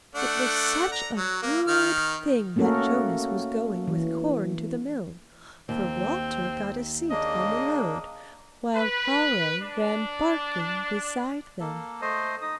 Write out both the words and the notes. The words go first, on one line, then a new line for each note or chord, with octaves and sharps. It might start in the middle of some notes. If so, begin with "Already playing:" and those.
It was such a good thing that Jonas was going with corn to the mill, for Walter got a seat on the load, while Caro ran barking beside them.
A3 D4 F#5
A#5
F#3
A#3
D#3 F6
A3 A#3 C#4 F#4 A4 A#4
E3
D#2 C4
C#3 A#3 D4 D#5
B4
D4
A#3 A4
A3 C5 D#5
D#4 D#6